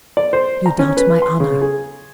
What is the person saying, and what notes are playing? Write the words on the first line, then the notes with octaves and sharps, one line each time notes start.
'You doubt my honour?
D5
C5
A#5
C#4
B4
C6
C#3
G#4